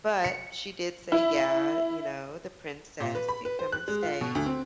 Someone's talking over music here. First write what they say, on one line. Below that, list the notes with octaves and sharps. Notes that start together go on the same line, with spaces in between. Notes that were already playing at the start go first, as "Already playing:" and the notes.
But she did say, "Yeah," you know, the princess could come and stay
C#7
E4
A#2
B4
B5
B4
C5
F#6
G#3
F4
B2
D2
C4